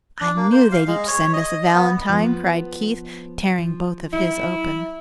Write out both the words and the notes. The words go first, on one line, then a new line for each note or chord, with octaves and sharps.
"I knew they'd each send us a valentine," cried Keith, tearing both of his open.
D4
A#3
C5
F5
G#3
C#5
D#5
B3
F3 B3
F3
F#3 E4